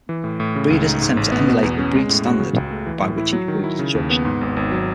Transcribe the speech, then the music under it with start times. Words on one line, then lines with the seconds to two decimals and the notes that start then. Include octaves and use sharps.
Breeders attempt to emulate the breed standard by which each breed is judged.
0.09 E3
0.24 A2
0.40 A2
0.56 C#3
0.70 C#2
0.86 D#4
1.02 G#2
1.17 A1
1.32 B3
1.48 B2
1.63 E2
1.79 C#4
1.94 G#3
2.09 A2
2.25 F#4
2.40 C#3
2.56 C#2
2.71 A3
2.86 E3
3.02 A2
3.18 E4
3.33 F#3
3.48 D#3
3.64 E4
3.79 C#3
3.95 D#2
4.10 B3
4.25 G#2
4.41 G#1
4.57 G#1
4.71 F#3